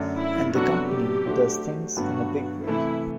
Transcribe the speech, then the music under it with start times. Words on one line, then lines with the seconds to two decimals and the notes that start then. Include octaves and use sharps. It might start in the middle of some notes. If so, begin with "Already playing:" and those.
And the company does things in a big way.
Already playing: F#2 D3 A3 D4
0.19 E4
0.55 C3 F#3 B3 D4 F#4 A4
0.91 G4
1.26 A3 D4 F#4 C5
1.96 G2 D3 F#3 B3 F#4
2.67 C3 E3 A3 E4